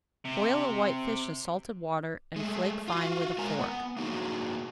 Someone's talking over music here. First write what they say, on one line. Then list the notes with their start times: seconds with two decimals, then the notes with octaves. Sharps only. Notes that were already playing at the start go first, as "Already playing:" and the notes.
Boil a whitefish in salted water and flake fine with a fork.
0.25 C3
2.36 G#3 A3
2.88 F4 F#4
3.38 G#3 A#4 G#5 A#5
3.59 B3
3.97 A#3 D#4 F#4 G#4